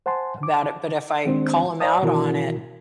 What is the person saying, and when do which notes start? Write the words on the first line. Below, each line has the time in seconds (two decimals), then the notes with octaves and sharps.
about it, but if I call 'em out on it,
0.06 C5 F#5 G#5 A5 C6
0.43 D6
1.26 D#3 G#3 C4 D4 C5
1.80 C5 D5 F5 A5 D#6
2.03 B2 D#3 E3 E4 F#4 A#4